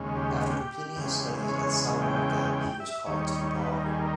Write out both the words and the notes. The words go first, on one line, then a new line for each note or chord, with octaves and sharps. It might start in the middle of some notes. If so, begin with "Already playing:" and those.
After completing his studies at Salamanca he was called to the bar.
Already playing: D#2 C#3 G#3
G4
E2 C#3 G#3
C#5
G5
G5
E5
D#2 D#3 G3 C#5
B4
A#4
G#4
A#4